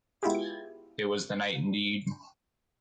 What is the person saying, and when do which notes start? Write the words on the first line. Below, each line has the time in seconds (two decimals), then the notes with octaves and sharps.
It was the night indeed.
0.23 G#3 B3 E4 F4 G4 G#4